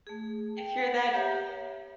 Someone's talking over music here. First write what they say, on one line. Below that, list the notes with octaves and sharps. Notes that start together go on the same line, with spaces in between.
If you're that
A3 G#4
G5
F#5
G4 C#5 E5 A#5
E5